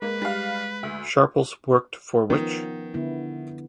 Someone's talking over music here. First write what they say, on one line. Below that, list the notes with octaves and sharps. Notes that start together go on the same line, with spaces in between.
Sharples worked for Which?
G#3 A#3 B4
G3 F5
D2
D#3 F3 B3 C#4
D3 B3 E4